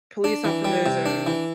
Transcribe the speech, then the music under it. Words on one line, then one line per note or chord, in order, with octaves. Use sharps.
police officers and f,
D4
E3
G3
C3
D4
E3